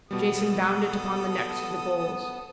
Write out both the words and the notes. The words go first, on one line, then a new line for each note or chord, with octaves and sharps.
Jason bound it upon the necks of the bulls.
B2 G3 B3 A4 D#6